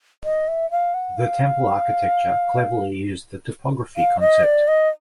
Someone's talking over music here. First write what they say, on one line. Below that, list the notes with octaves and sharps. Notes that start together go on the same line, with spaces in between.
The Temple Architecture cleverly used the topography concept.
D#5
E5
F5
F#5
F5
F5
D#5
D5
D#5